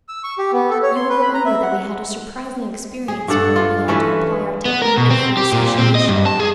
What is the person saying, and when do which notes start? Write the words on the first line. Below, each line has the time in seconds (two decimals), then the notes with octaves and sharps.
You will remember that we had a surprising experience when we began to apply our technique of free association.
0.09 E6
0.24 C#6
0.38 G4
0.53 B3
0.70 A4
0.83 C#5
0.96 C6
1.09 B4
1.22 B5
1.34 A#5
1.46 E5
1.63 F#5
3.08 G#4
3.28 G2 D4 A4 F#5
3.56 F4
3.88 E3 A3 C#4 B4
4.65 B3
4.82 A#4
4.98 B2
5.10 C4
5.37 G4
5.53 A#2
5.78 C4
5.95 D#5
6.08 G2
6.26 A5
6.40 G#4